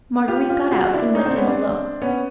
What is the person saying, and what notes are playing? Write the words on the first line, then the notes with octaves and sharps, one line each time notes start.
Marguerite got out and went in alone.
F4 G4
F4 G4
F#4 G#4
D4 E4
C#4 D#4
C4 D4
B3 C#4
C4 D4
B3 C#4